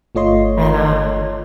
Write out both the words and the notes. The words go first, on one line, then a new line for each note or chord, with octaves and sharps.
and a
G1 A3 F4 C#5 D#5 C6